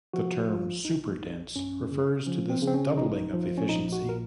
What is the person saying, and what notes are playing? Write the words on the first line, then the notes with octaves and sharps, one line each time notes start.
The term "superdense" refers to this doubling of efficiency.
F3 F#4
A#1 F4
A#1 D#4
A#1
F#2 C#4
C#3
F3 C#4
C4
C#3
C4
C#4
A#1 D#4
F3
C#4
A#1 D#4
F#4
A#2
A#4